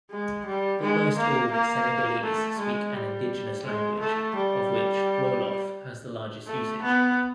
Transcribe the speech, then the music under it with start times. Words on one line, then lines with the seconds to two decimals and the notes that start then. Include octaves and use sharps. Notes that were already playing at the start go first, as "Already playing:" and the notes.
Almost all Senegalese speak an indigenous language, of which Wolof has the largest usage.
0.11 G#3
0.46 G3
0.82 G#3
1.18 A#3
1.52 A#3
2.23 A3
2.59 G#3
2.94 G3
3.64 G#3
4.00 A3
4.36 G3
6.47 A3
6.83 B3